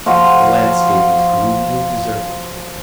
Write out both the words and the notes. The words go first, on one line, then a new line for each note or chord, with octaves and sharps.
The landscape was gloomy and deserted.
F3 F#4 F5